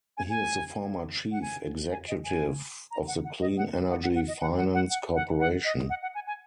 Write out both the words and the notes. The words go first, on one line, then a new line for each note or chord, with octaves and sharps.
He is the former chief executive of the Clean Energy Finance Corporation.
G#5
G#5
F#5
G#5
G#5
D#5
G#5
A#5
F#5
F#5
D#5
F#5
F#5
F#5
F#5
D#5
F#5
F#5
F#5
F#5
F#5
F#5
D#5
F#5
F#5
G#5
G#5